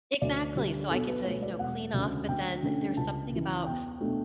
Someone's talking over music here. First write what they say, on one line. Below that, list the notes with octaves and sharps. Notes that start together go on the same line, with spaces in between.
Exactly, so I get to, you know, clean off, but then there's something about
D2 D5
D3 G3 D4
B1 A4
B4
B2 A3 C#5
D5
E1 F#5
D2 C#3
D2 G5
D3 A3 C#4
C#2 A5
C#3 E3
E2 G5
B2 A3 D4